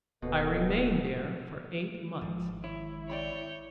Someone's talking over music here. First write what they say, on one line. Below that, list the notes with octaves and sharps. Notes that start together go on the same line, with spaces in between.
I remained there for eight months.
D1 B2 A4 B4 D#5
G#1 D#3 F3 G#3
E4 C#5
C#5 D5 G5 B5 G6